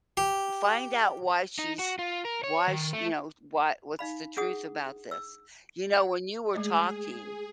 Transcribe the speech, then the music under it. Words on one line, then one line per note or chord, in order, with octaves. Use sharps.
Find out why she's why she you know, why what's the truth about this. You know when you were talking,
G4
D#4
F#4
F4
A#4
C#5
D#3
A3
D#4 F5 B5
D4 G#4 F#5 D#6
E6
G#3 A3 G#4 D#5